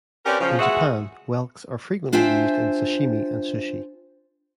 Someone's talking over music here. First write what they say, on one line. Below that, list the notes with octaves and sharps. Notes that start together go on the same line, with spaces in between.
In Japan, whelks are frequently used in sashimi and sushi.
C4 C#4 G4 A#4 B4 D5
C#3 F3
G#3 B3 F#4 G#4 E5 F#5
D4 F4 C5 E5 G5 G#5